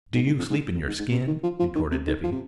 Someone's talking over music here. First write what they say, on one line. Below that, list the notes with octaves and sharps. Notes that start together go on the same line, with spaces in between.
"Do you sleep in your skin?" retorted Dippy.
G#2
G#2
F2
G#2
F2
G#2
G#2
C3
D#3
F3
F3
D#3
C3
D#3
F3
C3